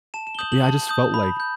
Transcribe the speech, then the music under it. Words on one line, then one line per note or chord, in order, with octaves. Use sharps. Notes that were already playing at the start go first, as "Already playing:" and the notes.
but, yeah, I just felt I
A5 E7
E7
G7
D#6 G6 F#7
F#7
A5
D#6 G6
B5
G6